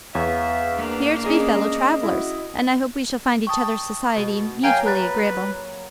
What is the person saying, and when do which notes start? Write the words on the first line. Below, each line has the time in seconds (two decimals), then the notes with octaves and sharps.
'We are to be fellow-travellers, and I hope we shall find each other's society mutually agreeable.'
0.15 E2 B3 C#5 E5 F5
0.75 A#3 D4
1.24 C#4 G#4 A#4 D#5
2.03 E4 F#4
3.47 G5 A5 C#6 D#6
4.16 B2
4.64 F#3 A#3 G#4 F5 G5 G#5 D7
4.85 B4 A#5 F#6 A6